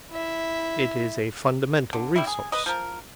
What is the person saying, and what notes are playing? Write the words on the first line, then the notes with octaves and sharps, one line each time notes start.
It is a fundamental resource.
E4 E5
D3
G3 E4
G#4
B4 D#5
F3 A#4